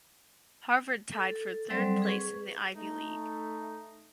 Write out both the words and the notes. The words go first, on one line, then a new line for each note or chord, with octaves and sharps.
Harvard tied for third place in the Ivy League.
A4
F#3 G3 C4 A4 C5 D5
G#4 B4 C#6
A3 D#4